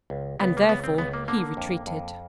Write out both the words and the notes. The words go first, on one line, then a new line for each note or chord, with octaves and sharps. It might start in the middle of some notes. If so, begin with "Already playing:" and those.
And therefore he retreated.
C#2
C#2 B3
A#3
C#2 B3
C4
C#2 B3
A#3
D3 A#3
F2
F2